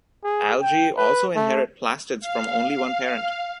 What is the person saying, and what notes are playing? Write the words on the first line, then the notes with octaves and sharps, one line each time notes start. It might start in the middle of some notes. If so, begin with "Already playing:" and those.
Algae also inherit plastids from only one parent.
G#4
G5
B4
A3
F5